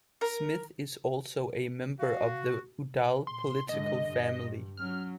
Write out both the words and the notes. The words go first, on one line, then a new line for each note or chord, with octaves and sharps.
Smith is also a member of the Udall political family.
A#4
F#4 F5
A#2 C6
G#2 D3 D#5
G2
F#3 C#4 F6